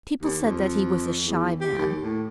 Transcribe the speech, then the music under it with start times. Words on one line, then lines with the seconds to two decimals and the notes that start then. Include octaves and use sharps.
People said that he was a shy man.
0.23 D#2
0.44 F2
1.25 E2
1.61 G4
1.78 D#2
2.03 A2